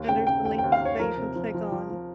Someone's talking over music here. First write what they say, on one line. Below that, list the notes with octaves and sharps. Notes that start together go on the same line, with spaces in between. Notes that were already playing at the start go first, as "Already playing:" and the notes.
and there's a link that you can click on
Already playing: D#2
C#3 G5
C#3 G5
D#2 G5
G5
D#2
F5
D#2 C#5
F3 A#4
C3
F3
F3
F3
F3